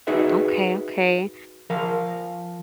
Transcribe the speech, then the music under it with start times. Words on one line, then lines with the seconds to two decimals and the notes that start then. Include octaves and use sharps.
Okay, okay.
0.07 D#4 F#4 G#4 B4 E5
1.70 F3 A#4 F5